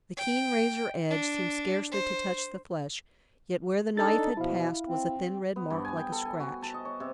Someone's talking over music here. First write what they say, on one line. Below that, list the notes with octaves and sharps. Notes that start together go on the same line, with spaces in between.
The keen razor edge seemed scarcely to touch the flesh, yet where the knife had passed was a thin red mark like a scratch.
G5
D4
C5
D4 D#4 A4 A5 A6
B2 F3 E4 F5
C4
B3
G2
G#5
G5
A4
G#5
F#4
A5
D#5
C#5
C3